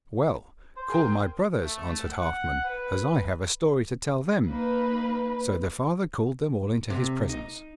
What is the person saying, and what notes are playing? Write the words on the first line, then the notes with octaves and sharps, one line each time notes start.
'Well, call my brothers,' answered Halfman, 'as I have a story to tell them.' So the father called them all into his presence.
C5
G#4 A#4 G5
A3
F#5
B4
A#3 D#4 B4
C3
D#4